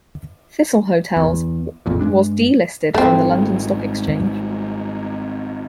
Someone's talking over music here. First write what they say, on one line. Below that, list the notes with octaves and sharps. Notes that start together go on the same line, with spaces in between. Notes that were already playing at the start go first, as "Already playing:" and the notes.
Thistle Hotels was delisted from the London Stock Exchange.
E2
E1 A#1 F2 A#2
G2 G#3 D4
G#1 G#2 G3 A3 C4